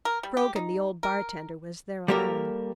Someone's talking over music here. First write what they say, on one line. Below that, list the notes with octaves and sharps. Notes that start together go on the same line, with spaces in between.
Grogan, the old bartender was there alone.
A#4
G3
G4
D#4
A#4
G3 A#3 G4 A4 A#4